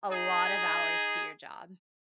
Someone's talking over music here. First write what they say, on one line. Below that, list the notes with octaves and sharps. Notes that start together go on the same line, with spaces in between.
a lot of hours to your job.
D#4 G#4